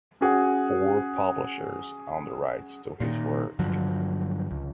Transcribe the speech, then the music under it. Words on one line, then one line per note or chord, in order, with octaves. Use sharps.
Four publishers own the rights to his work.
C#4 F#4 G#4 F#5
A#2 D#3
G2 D3 F3 F#3
C#2